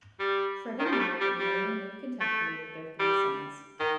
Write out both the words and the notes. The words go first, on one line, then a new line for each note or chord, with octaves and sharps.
Fred and Mary marry and live contentedly with their three sons.
G3
D#3
F3
G3
A3
G3
G3
A3
G3
D#3